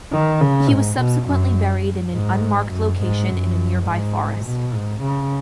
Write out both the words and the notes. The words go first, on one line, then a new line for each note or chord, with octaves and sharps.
He was subsequently buried in an unmarked location in a nearby forest.
D#3
C#3
G#2
B2
F#2
G#2
F#2
G#2
F#2
G#2
B2
G#2
C#3